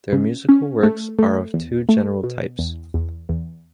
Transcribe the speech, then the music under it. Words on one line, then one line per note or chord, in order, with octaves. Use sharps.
Their musical works are of two general types.
C#3
C#4
A3
A3
E2
A3
B2
E2
E2
E2